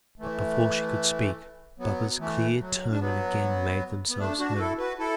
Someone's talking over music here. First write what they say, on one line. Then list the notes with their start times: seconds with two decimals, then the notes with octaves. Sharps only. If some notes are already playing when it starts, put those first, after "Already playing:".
But before she could speak, Baba's clear tones again made themselves heard.
0.19 E3 A3
1.79 F#3 B3
2.19 E3 A3
2.59 F#3
2.90 D4
3.00 F#3 B3
4.09 B3
4.19 A3 D4
4.39 D4 F#4
4.51 F#4
4.59 E4 A4
4.79 F#4 B4
4.99 E4 A4